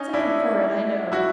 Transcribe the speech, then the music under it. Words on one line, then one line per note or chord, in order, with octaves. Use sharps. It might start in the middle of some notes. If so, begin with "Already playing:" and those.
Something horrid, I know.
Already playing: C#4 D#4
D4 E4
E4 F#4